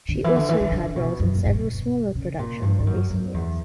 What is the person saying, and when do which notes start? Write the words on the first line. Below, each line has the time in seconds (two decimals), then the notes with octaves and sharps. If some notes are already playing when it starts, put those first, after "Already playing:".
She also had roles in a several smaller productions in recent years.
0.09 D3
0.24 E3
0.36 D3
0.49 E3
0.61 D3
0.72 D3
0.96 B2
1.20 F#2
1.35 A#2
1.46 A#2
1.51 B2
2.15 C#3
2.39 A#2
2.62 G2
2.80 G2
2.87 F#2
3.10 F#2
3.34 E2